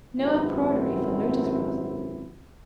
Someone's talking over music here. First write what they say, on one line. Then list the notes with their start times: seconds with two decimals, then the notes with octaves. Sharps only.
No embroidery for Lotus Blossom!
0.18 G#1 F#2 C3 B3 C4 E4